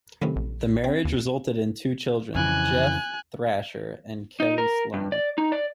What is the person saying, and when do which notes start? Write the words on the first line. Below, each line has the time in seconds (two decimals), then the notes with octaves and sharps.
The marriage resulted in two children: Jeff Thrasher and Kehly Sloane.
0.22 F#2 A2 C3 D#3
0.36 A#1
0.84 C4
1.05 D#2
2.35 F2 C#3 E3 G#5 F#6
4.40 D#4
4.58 A#4
4.94 G2
5.12 D5
5.38 D#4
5.52 D5